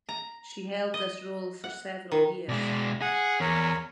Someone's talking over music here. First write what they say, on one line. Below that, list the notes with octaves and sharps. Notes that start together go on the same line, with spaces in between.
She held this role for several years.
A#5
D#5
F#5
D#3
B2 G#3 D5
G#4 F#5
E2 A#4 C#5